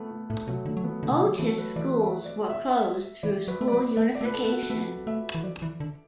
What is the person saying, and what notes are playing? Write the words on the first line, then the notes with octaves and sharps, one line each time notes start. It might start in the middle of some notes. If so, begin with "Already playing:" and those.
Otis schools were closed through school unification.
Already playing: A3 B3
A3
A2 A3
B2 F#3
D3 A3
F#3
E3 B3
D3 A3
B2
D3 F#3
E3 A3
B4
E3 D5
E5
D5
E5
E3 D5
F#3 B4
A3
D5
F#3 B4
A3 E5
D5
A3
B4
A4
B3
F#4
B3
A3 B4
A3 E5
E3
F#3 D5
E3
D3